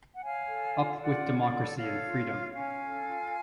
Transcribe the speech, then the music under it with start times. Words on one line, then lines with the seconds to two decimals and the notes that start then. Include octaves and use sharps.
Up with democracy and freedom!
0.13 F#5
0.23 C#5 F5 G#5
0.49 A4
0.74 F4
1.01 F4 D5 F#5
1.25 C#5
1.39 D5
1.51 A4
1.77 A4 C#5 F5
2.03 F4
2.28 C#5
2.54 C#4 F5 G#5
2.80 A4
3.06 F4